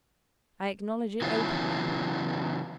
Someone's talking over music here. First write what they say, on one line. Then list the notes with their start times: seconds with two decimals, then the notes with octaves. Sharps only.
I acknowledge it openly.
1.22 C#3 E3 F#3 B3 E4 F4